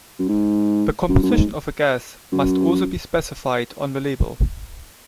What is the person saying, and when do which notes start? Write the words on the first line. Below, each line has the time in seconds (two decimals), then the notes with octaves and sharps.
The composition of the gas must also be specified on the label.
0.19 F#2
0.29 G#2
1.09 F#2
1.23 F#2
1.30 G#2
2.32 F#2